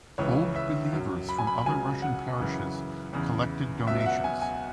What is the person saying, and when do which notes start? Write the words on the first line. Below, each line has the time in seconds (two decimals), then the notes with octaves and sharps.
Old Believers from other Russian parishes collected donations.
0.18 C#2 C#3 E3 C#5
0.56 E5
0.93 F#2 F#3
1.29 B5
1.38 G#5
1.47 B5
1.58 B5
1.66 C#2 C#3 F#3 G#5
2.02 F#5
2.39 F#2 C#3 E3
3.13 E2 C#3 E3
3.87 C#2 B2 F#3 E5
4.01 E5
4.06 F#5
4.24 G#5
4.42 G#5